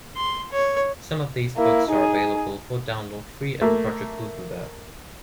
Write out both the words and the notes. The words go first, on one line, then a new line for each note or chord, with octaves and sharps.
Some of these books are available for download free at Project Gutenberg.
C6
C#5
A#3 E4
D#4 G#4
A3 A#3